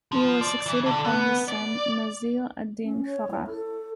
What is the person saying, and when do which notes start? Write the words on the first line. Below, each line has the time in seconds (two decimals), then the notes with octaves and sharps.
He was succeeded by his son Nasir-ad-Din Faraj.
0.12 F3
0.41 D5
0.66 E3
0.86 D3
1.05 B3
1.48 D5
2.83 C#4
3.05 C#5
3.31 E4
3.47 A4